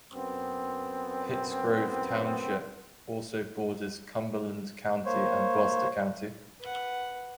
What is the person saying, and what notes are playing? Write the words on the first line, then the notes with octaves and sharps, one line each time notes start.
Pittsgrove Township also borders Cumberland County and Gloucester County.
F#2 B3 C4
A#3 C5 C#5
B4 F#5